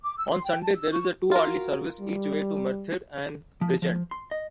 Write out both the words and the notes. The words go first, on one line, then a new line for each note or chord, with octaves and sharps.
On Sunday, there is a two-hourly service each way to Merthyr and Bridgend.
D6
E6
C6
G5
A5
E6
C#6
F4 F#4 A#4
G3
F3
F3
C6
D#5